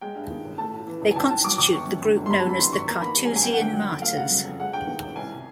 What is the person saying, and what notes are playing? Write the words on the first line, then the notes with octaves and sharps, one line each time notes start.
They constitute the group known as the Carthusian Martyrs.
G#3 G5
G2
D#3
A1
A3 A5
A2
E3
A1
G#5
D#2 A5
D#3 A5
F#3 D6
D#2 D6
G1 C#6
F#2
D3
G1
C6
G3 B5
A5
F#2 B5
D#3 C6
G#1 C#6
A#3 A#5
D#3 B5
G3
G#5
F#2
G#5
A#3 G5
F#5
D3 G5
F#3
F2
A3 F5
C#3 F#5
F#3
F2
G#3 F#5
G2 G5
D#3
A1
C2 G#5
C3